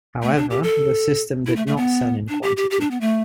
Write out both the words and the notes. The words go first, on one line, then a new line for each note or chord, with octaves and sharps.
However, the system did not sell in quantity.
A3
D4
G4
A4
E4
A3
A3
B3
D4
G4
G4
G4
D4
B3
A3